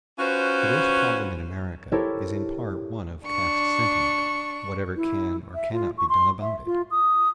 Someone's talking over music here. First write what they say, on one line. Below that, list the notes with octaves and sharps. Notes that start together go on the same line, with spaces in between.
The race problem in America is in part one of caste sentiment, whatever can or cannot be done about it.
C#4 F4 F#4 B4 C5
E4 G4 A4 A#4 C5 C#5
D4 C#6
E4
E5
F4
C#6
C6
E5
F4
D#6